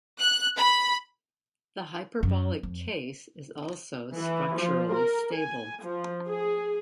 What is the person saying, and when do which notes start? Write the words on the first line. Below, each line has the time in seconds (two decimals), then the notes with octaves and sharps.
The hyperbolic case is also "structurally stable".
0.19 F#6
0.56 B5
2.23 F#2
2.63 F2
4.15 E3
4.57 F3
4.93 A#4
5.34 G#5
5.83 F3
6.29 G#4